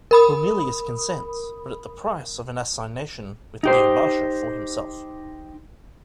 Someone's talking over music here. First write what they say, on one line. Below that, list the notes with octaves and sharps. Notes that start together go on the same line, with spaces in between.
Bomelius consents, but at the price of an assignation with Lyubasha for himself.
A#4 B5 D#6
D#4 G4 C5